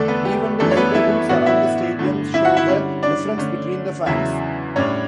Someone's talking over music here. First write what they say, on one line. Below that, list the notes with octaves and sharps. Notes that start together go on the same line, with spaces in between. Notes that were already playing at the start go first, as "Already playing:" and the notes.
Even the neighborhoods around the stadiums show the difference between the fans.
Already playing: E2 D3 A3 D4 A4
B3 B4
G4
F#2 E3 G3 A3 D4 A4
C#5
B3 B4
E4 E5
A2 E3 B3 D4 F#4 F#5
E4 E5
G2 D3 A3
E4 E5
F#4 F#5
E4 E5
D3 G3 C#4
D4 D5
D3 A3 C#4
E2 C#3 F#3 E4 E5
A2 G3 C#4 D4 C#5